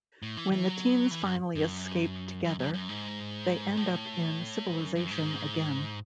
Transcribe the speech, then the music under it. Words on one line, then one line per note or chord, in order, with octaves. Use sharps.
When the teens finally escape together, they end up in civilization again.
A2
E3
E3
F#3
E3
F#2
F#2
F#2
F#2
F#2
G#2
A2
G#2
F#2
F#2
G#2